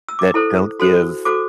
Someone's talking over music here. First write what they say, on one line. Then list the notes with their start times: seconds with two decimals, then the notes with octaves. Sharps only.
that don't give
0.09 E6
0.19 D6
0.34 E4 A4 C5
0.80 F#4 A4 C5
1.25 F#4 A4 C5 D6